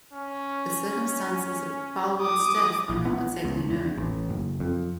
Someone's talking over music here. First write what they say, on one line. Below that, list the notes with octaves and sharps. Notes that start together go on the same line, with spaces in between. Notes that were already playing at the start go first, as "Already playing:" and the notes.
The circumstances of Baldwin's death are not exactly known.
C#4
D6 D#6
A#1
B3
C#2
E2
A1
F#1
F2